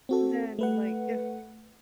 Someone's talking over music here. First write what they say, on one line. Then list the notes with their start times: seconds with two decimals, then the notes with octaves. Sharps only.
then, like, if
0.09 C4 F#4 A4
0.59 A3 B4 F#5